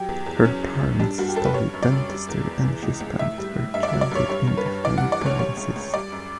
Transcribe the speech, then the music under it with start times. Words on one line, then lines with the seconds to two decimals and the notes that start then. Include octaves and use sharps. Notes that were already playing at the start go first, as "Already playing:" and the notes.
Her parents studied dentistry and she spent her childhood in different provinces.
Already playing: F#3 G4
0.09 E2
0.26 E2
0.45 F#3 C#4
0.63 F#2
0.81 F#2
0.99 G3 D4
1.18 G2 F#4
1.29 G4
1.36 G2 A4
1.45 B4
1.54 G3 C#5
1.73 F#2
1.83 D5
1.92 F#2
2.09 G3
2.29 E2
2.46 E2
2.65 E3
2.83 C#2
3.01 C#2
3.19 A2 E5
3.38 G3
3.57 A2
3.74 G2 E5
3.83 D5
3.89 F#3 E5
4.01 D5
4.11 G2 C#5
4.29 G3 C#5
4.47 G2
4.57 B4
4.66 G2
4.84 E3 D5
4.98 F#5
5.03 G3
5.12 D5
5.21 D2 C#5
5.39 G3 C#5
5.57 C#2
5.76 C#2
5.94 G3 D5
6.12 F#2